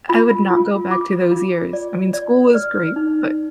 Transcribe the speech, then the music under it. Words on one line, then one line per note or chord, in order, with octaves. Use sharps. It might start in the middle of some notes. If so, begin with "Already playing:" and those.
I would not go back to those years, I mean, school was great, but
F4 B5
F4
F4 D6
F4
D5
D5
D5 F6
D#4